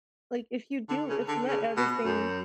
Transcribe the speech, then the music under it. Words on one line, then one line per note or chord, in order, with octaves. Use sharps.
like if you do if you let everything
D3
C#3
D3
C#3
B2
F#2